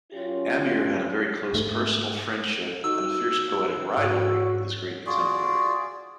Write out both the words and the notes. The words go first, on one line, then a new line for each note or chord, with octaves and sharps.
Amir had a very close personal friendship-and a fierce poetic rivalry-with his great contemporary.
F#2 C#4 F4 G4 C#5
G#2 A3
D#4 F#4 E6
G#2 F#4 C#5
F4 F#4 G#4 D5